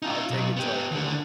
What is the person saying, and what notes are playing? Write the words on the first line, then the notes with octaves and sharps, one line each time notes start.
I'll take it to, like,
D#4 F4
B1
B3 G4
D#2 D3